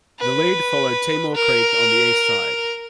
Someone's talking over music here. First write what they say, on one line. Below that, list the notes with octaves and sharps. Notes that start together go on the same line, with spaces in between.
The lead followed Timor Creek on the east side.
B4
A#4